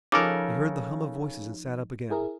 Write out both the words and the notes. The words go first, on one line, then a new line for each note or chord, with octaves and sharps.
He heard the hum of voices and sat up again.
C#3 F3 D#4 A4 A#4 D6
E4 G#4 A#4